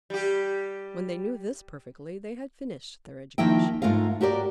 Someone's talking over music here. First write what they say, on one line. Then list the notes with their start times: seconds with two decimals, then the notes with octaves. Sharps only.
When they knew this perfectly, they had finished their education.
0.10 G3 G4
3.38 D#3 F3 A#3 E4 E5 G5
3.82 G#2 A3 F4 A#4 F5
4.21 F#4 G4 A#4 C5 D5